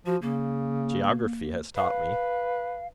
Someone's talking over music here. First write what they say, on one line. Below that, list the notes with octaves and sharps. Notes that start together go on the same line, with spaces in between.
"Geography has taught me."
F3 F#4
C#3 A#3
B4 F5